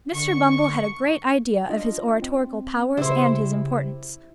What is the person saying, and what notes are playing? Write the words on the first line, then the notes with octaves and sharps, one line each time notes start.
Mr. Bumble had a great idea of his oratorical powers and his importance.
D3 C#6
D4 F4 D#5
C4
C#3 E4 G4 C5